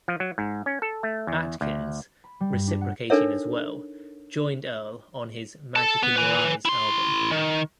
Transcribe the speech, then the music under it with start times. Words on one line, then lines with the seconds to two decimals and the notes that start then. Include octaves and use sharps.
Atkins, reciprocating as well, joined Earl on his "Magic In Your Eyes" album.
0.08 F3
0.20 F#3
0.38 G#2
0.66 C#4
0.82 A4
1.03 A3
1.27 E2
1.61 D2
2.24 B5
2.41 G3
2.52 G2
2.68 D4
2.81 F#5
3.10 D4 D#4 A4 A#4 C#5 E5
5.76 A4 A5
6.03 B3
6.16 B4 G#5
6.65 E4 C6
7.31 D#3